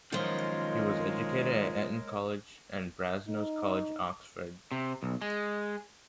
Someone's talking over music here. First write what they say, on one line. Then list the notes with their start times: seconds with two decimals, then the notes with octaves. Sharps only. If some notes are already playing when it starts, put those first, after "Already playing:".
He was educated at Eton College and Brasenose College, Oxford.
0.12 F#2 D#3 F3 G#3 F4 A#4 C#5 D#5
3.28 D#4
4.71 C3
5.03 B1
5.22 G#3